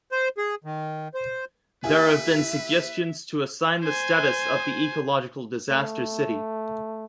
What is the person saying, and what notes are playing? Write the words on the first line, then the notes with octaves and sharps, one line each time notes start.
There have been suggestions to assign the status of the ecological disaster city.
C5
G#4
D#3
C5
A#3 E4 G4 G#4 B4 E5 F5
C5 G#5
A3